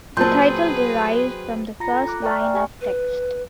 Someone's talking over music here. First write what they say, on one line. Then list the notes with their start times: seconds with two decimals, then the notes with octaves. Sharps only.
The title derives from the first line of text.
0.17 A#2 F#3 C4 G#4 B4 A5 C6 G6
1.80 F4 A#5 B5 A#6 C#7
1.93 A4
2.08 D6 F#6
2.22 D5 G5 A#5 C#6 F6
2.41 D5 E5 G5 G#5
2.54 G4 G#5 C#6
2.81 B4